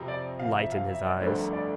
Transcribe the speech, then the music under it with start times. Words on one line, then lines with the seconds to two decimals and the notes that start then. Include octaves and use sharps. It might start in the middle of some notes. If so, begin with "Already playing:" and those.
Light in his eyes.
Already playing: F2 C3 F3
0.08 D5
0.39 F5
0.57 E5
0.72 F5
0.88 E5
1.04 D5
1.20 G1 F2 D3 A3 D4 C5
1.36 A#4
1.53 D5